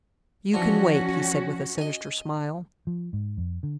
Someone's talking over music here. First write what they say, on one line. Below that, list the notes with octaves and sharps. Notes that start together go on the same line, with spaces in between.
"You can wait," he said with a sinister smile.
E3 F3 C#4 D4 F#4
D#5 G#5
F3
G#2
F2
D3